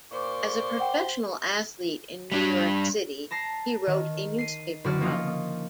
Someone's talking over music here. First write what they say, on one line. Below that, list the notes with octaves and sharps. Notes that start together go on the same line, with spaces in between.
As a professional athlete in New York City, he wrote a newspaper column.
A#2 C5 C#6 D6
F#5 G5
G3 D4
A5 A#5 A#6 C7
D#3
C7 D#7
F#1 D3 F#4 D5 F6
F3 A#3 C#4 D#4 F4